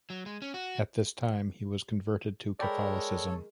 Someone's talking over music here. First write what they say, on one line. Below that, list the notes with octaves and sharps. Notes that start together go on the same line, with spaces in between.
At this time he was converted to Catholicism.
F#3
G#3
C#4
F#4
G#3 A4 A#4 C#5 D5 G5 B5